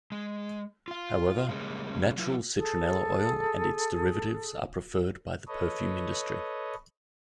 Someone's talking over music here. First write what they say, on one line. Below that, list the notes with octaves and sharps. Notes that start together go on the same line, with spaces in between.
However, natural citronella oil and its derivatives are preferred by the perfume industry.
G#3
F4 F5
C#3 G3 G#3 A#3 C#4
F#3 E4 F4
G#4 A4
A4 B4 C#5 D#5